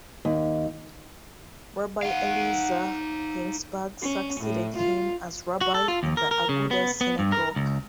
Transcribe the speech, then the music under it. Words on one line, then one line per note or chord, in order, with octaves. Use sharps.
Rabbi Eliezer Ginsburg succeeded him as rabbi in the Agudah synagogue.
D#2
D#4 F5 F#5
C#4
A2
F4
F#4
A4
F4
D#2
A#4
A#4
C#3
B3
B3
G2
A#4
C#2